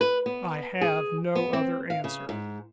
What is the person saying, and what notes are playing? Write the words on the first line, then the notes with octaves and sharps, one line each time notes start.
"I have no other answer."
B4
B3
G#4
B3
C4
F5
C#3
G#2